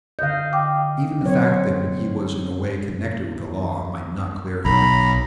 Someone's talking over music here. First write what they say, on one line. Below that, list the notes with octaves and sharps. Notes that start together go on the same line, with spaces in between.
Even the fact that he was in a way connected with the law might not clear him.
D3 D#5 F5 G6
G5 D6
F#3 C4 C#5
B1 A#5 B5